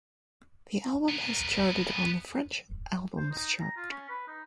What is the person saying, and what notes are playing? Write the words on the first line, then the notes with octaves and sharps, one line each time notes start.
The album has charted on the French Albums Chart.
B3 A#4
C5
D#4
A#5
F4
C#4
B4
D#4